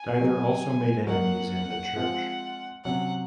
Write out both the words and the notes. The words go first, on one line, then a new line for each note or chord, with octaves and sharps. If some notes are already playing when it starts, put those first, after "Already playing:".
Diether also made enemies in the church.
Already playing: G#5
F#3 C4 D#4 F#4
F#3 A#3 D#4 F#4 F#5
F3 G#3 C4 F4
C3 F#3 C#4 F#5